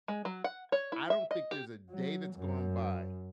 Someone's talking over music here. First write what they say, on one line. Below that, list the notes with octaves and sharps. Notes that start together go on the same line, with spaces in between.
I don't think there's a day that's gone by
G#3
F#3
F#5
C#5
E4
E5
D#5
G4
F#3
F#2